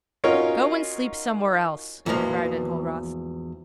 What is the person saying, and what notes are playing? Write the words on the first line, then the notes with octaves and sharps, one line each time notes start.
"Go and sleep somewhere else," cried Enjolras.
C#4 D#4 F4 F#4 A#4 C#5
E2 G#2 B2 F3 A#3